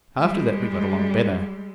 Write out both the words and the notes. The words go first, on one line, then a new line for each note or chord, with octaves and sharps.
After that we got along better.
G3 G#3